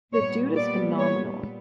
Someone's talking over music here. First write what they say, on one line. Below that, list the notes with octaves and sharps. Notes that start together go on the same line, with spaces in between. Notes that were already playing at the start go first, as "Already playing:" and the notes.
The dude is phenomenal.
A#2 G3 B3 C#5
D5
C#5